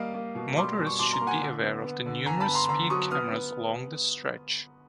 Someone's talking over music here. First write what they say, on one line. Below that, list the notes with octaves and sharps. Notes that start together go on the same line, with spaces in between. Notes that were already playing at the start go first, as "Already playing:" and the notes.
Motorists should be aware of the numerous speed cameras along this stretch.
Already playing: G3 A#3 D#5 F5
A#3
B2
G3 C6 D6
B2
C#6
B2 C6 D6
A#5 C6
A#3
F#5 G#5
D3
B3
B3
D3
D3 G#5 A#5
A5 B5
B3
A#5 C6
D3 A#5 C6
F#3 C#6 D#6
B3 D#6 F6
B3